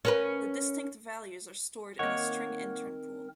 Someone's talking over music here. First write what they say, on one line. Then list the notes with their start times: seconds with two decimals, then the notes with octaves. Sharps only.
The distinct values are stored in a string intern pool.
0.05 C#4 A#4 B4
1.99 D#3 A#3 C4 D#4 A#4 C#5 F#5